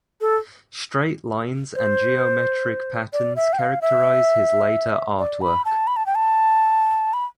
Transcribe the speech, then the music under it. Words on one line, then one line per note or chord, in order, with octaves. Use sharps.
Straight lines and geometric patterns characterize his later art work.
A4
C5
D5
E5
G5
F5
E5
D5
B5
A5
B5
A5
G5
A5
B5